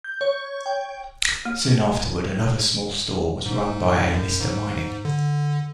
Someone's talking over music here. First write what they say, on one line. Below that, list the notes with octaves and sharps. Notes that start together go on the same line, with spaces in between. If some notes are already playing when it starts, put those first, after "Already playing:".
Soon afterward another small store was run by a Mr. Mining.
G6
C#5
G5
A#3
G#2
F#2
G#2
D3